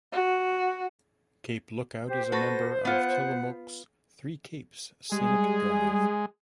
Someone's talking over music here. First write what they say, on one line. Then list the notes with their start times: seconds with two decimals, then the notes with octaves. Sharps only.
Cape Lookout is a member of Tillamook's Three Capes Scenic Drive.
0.12 F#4
2.08 G4 C5
2.32 F#4 A4 B4 A#6
2.85 B3 F4 F#5
5.12 G3 G#3 G#4